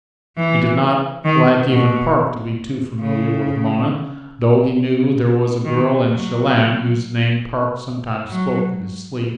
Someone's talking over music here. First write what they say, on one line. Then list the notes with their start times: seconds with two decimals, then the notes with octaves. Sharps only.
He did not like even Park to be too familiar with Mona, though he knew there was a girl in Shellanne whose name Park sometimes spoke in his sleep.
0.36 E3
1.25 D#3
1.69 B2
3.00 C#3
5.65 D#3
6.10 F#3
8.31 F#3